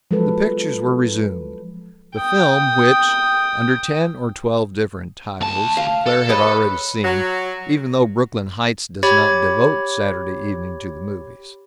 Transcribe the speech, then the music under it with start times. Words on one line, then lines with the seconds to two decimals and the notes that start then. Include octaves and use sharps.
The pictures were resumed; the film which, under ten or twelve different titles, Claire had already seen, even though Brooklyn Heights does not devote Saturday evening to the movies.
0.11 F3 F#3 G#3 A4 B4
2.17 G5 D#6
5.41 D2 A5
5.77 F5
6.07 A4
6.29 B4 C#5 D#5
7.03 F#3
9.03 G4 C#5 B5 G#6 A6